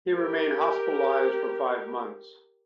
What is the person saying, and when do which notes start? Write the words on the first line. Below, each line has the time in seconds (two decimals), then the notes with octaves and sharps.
He remained hospitalised for five months.
0.14 G4 A#4